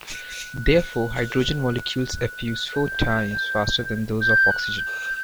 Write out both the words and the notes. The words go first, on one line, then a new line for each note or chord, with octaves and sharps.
Therefore, hydrogen molecules effuse four times faster than those of oxygen.
F#6
F#6
F#6
G6
G6
F#6
G6